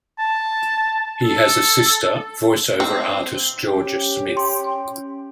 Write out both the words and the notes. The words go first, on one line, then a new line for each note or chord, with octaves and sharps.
He has a sister, voice over artist Georgia Smith.
A5
A4
C4
C#4 G4
C6